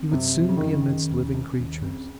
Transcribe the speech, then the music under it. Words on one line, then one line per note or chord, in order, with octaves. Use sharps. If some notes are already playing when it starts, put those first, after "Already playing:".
He would soon be amidst living creatures.
Already playing: C4
F#2 C3
F3
C#3
F#2 D#3
C#3
D#3
D#2
C#4
D#2
C4